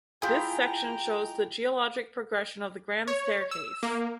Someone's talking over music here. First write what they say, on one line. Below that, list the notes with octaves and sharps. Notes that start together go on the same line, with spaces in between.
This section shows the geologic progression of the Grand Staircase.
E4 F4 G4 G#4 G5 G#5 A#5
C#5
E6
A#3